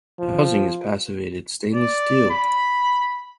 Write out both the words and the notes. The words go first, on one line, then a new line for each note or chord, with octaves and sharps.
The housing is passivated stainless steel.
F3
D5
B5